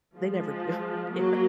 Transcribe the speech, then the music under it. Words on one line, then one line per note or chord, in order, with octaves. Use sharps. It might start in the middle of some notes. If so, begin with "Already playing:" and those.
They never do, yeah.
F3 G#3
F#3 A#3